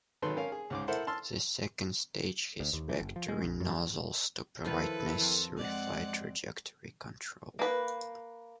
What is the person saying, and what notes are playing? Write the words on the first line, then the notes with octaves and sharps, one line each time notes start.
The second stage has vectoring nozzles, to provide necessary flight trajectory control.
G#1 D#3 F#3 A4 B4 C6
C#4 A#4 F5
G#4
C#2 G#2 D6
E4 A4 A#4 C5 E5 F#5
A5 C6 E6 F6
D2
D#2
E3
F#1
F3
G#3
A#1
F#2
D#3 F3 E4 A4 B4
F2
G#3 C4 D5 F#5
A#3 B4